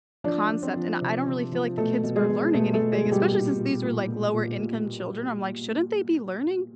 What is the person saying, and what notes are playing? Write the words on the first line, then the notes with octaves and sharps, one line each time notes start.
concept, and I don't really feel like the kids were learning anything, especially since these were like lower-income children. I'm like, shouldn't they be learning
F3 D4 D5
F3
C4 C5
F3
C3
C3
F3
B2 A3 A4
B2
G#3 G#4
B2
B2 A3 A4
A3 A4
B2
G#3 G#4
B2
G3 G4
A#2
A#2
A#2
A#2
A#2
A#2